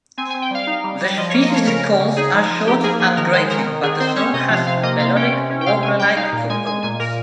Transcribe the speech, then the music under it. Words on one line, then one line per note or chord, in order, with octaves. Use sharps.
The species' calls are short and grating, but the song has melodic warbler-like components.
C4 G#5
G#5
C4
G5
G3 F5
D#4
G3
G3
F3 D#5
C#5
A#3
D#5
F3 C#5
C#3 A#4
C#3
C#3
D#4 G#4
F3
F3
D#4 G4
A#3 G#4
F3 G#4
D#3 A#4
G#3 C5
D#3 A#4
D#3
D#3 G#4
C4 C5
C#4 C#5
C3 D#5
F3 F5
C3 F5
A#3 D#5
C3 F5
C#4 G5
C3
C#4
G5
C3 F5
C#4 G#5
G3 G5
D#4 F5
A#2
G#3 G#5
G#3 G#5
A#2 G#5
A#2 A#4